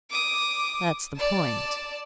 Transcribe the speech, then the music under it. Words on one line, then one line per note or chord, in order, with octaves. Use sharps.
'That's the point.
D6 D#6
D5 A5